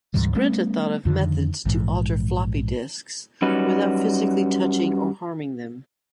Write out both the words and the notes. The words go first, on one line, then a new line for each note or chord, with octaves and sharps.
Skrenta thought of methods to alter floppy disks without physically touching or harming them.
D2 G#2 E3 G3
G3 A3 B3 C#4
F2 D3 D#3
A#1 G#2 E3
F#2 G3 C#4 D#4 F#4 B4